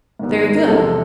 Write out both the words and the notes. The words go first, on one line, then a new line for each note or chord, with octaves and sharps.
Very good.
G#2 D#3 G3 B3
A#4
E2 C3 F3 G#3 A4